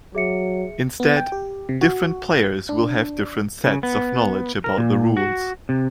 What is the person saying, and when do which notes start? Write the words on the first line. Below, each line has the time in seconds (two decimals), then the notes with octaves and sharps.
Instead, different players will have different sets of knowledge about the rules.
0.15 F#3 G#4 E5 C#7
1.00 B3
1.17 G5
1.32 G4
1.69 C3
1.81 F#4
2.69 D4
3.64 C#3
3.83 B3
4.64 A#4
4.78 A#2
5.17 F#4
5.69 C3